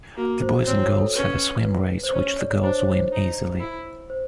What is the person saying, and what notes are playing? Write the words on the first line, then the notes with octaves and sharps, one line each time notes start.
The boys and girls have a swim race which the girls win easily.
A#3 F#4
C5
C4 C#5
C#5
A4
C#4 B4
B4
C5
C#4 C#5
D5
C#5
D4 C5
C#5
C5
D#4
E4
C5